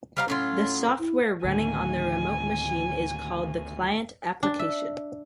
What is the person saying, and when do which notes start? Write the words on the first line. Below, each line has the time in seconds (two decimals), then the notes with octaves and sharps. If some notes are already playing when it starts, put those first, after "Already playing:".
The software running on the remote machine is called the client application.
0.17 G3 C5 F5 A#5
0.28 A2 F#3 C#4 F4
0.99 E4
1.44 D2 A2 D#3 G#5
4.43 D4
4.59 E5